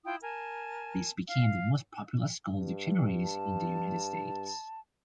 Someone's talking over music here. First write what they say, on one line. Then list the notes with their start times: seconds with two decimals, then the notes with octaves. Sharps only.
These became the most popular school dictionaries in the United States.
0.05 E4 F4 G5 D#6
0.22 A#4 G#5 A5
1.28 F5
2.54 G2
3.24 A5